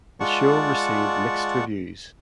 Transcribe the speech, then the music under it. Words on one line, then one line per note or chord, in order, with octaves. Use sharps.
The show received mixed reviews.
G#3 F4 D5 F#5 A5 C#6